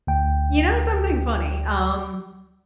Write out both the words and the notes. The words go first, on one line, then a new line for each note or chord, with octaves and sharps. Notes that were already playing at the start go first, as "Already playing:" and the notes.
You know something funny, um,
D2 G5